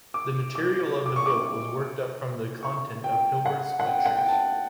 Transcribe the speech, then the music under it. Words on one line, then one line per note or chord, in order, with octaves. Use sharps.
The material of the book was worked up from the content of Hilbert's lectures.
D6
D6
D6
C#6
D6
C#6
G5
F#5
F#5
G5
F#5
G5
A5